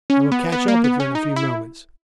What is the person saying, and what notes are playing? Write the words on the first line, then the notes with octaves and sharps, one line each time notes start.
I will catch up with you in a few moments.
C#4
B3
B3
A#3
B3
C#4
D#4
E4